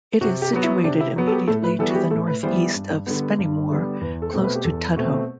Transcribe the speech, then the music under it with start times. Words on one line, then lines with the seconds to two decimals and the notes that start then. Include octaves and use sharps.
It is situated immediately to the north-east of Spennymoor, close to Tudhoe.
0.21 C3 F#4
0.42 G4
0.53 F#3 B3 F#4
0.63 E4
0.84 C3 D4
1.01 E4
1.16 F#3 B3
1.27 A4
1.32 G4
1.48 A2 A4
1.64 B4
1.79 E3 G3 B3 A4
1.90 F#4
1.95 G4
2.11 A2 A4
2.27 B4
2.43 E3 G3 B3 C5
2.75 G2
3.07 D3 G3 B3
3.39 G2
3.70 D3 G3 B3
4.01 E2 B4
4.22 A4
4.33 B2 A3 C4
4.44 B4
4.55 G4
4.64 E2 A4
4.96 B2 A3 C4